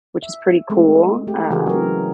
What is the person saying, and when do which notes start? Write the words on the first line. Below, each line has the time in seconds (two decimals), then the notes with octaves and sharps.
which is pretty cool. Um,
0.23 E5
0.70 G#3 A3 C4
1.27 A3 G4
1.50 C#3 E3 F#4 G#4 A#4
1.66 F#3 A#4